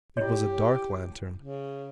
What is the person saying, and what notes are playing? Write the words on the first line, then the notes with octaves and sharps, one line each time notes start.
It was a dark lantern.
E4 G4 C#5
C#3